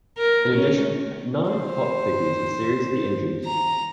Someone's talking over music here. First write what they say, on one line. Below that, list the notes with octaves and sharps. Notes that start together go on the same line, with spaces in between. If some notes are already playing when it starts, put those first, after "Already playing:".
In addition, nine hop-pickers were seriously injured.
A#4
C#4
C5
A#5